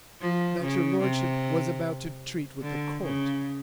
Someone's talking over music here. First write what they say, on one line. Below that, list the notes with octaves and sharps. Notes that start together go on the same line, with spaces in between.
"That your lordship was about to treat with the court."
F3
C#3
C3
D3
C#3